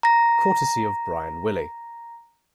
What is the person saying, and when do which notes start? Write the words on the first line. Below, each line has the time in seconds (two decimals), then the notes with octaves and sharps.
Courtesy of Bryan Willy.
0.03 A#5 A#6